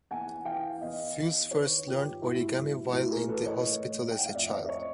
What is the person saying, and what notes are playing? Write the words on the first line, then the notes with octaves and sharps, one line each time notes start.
Fuse first learned origami while in the hospital as a child.
E2 F#5 G#5
E3 F5 G5
E2 D#5 F5
E2
D#3 B4 C#5
G2 F4 G4
G#2 E4 F#4
E3
A2 E4 F#4
G#4 A#4
E3 A4 B4
C#5 D#5
A2
A2
G5
F#5
F5
F2 D5 E5
D5 E5
C#5 D#5